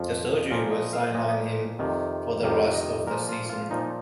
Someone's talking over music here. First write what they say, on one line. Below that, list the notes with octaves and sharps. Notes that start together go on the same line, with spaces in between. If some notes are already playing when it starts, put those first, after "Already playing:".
The surgery would sideline him for the rest of the season.
Already playing: F2 F3
A#2 F3 F5
D#5
F5
A#2 F3 D#5
F2 C3 D#3
F2 C3 D#3 F5
D#5
A#2 F3 A#4
F4
F4
A#2 F3 D#4